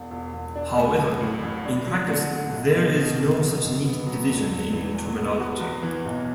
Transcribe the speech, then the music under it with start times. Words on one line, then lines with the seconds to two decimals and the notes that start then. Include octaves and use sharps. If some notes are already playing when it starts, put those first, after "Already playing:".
However, in practice, there is no such neat division in terminology.
Already playing: E1
0.11 E1
0.33 E1
0.55 D4
0.77 A3
0.98 F#3
1.20 A2
1.43 A1
1.65 D4
1.87 F#3
2.10 D3
2.32 D3
2.53 B1
2.75 B1
2.97 B2
3.18 B2
3.40 F#3
3.63 F#2
3.85 B3
4.07 F#3
4.29 E1
4.51 E1
4.73 E3
4.95 E2
5.18 B3
5.40 F#4
5.61 E2
5.83 E3
6.05 B1